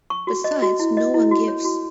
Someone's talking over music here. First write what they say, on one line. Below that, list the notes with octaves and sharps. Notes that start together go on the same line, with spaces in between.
Besides, no one gives.
C#6
F#4
D#5
F#4
E4
D#5
E4
F#4
C#5
F#4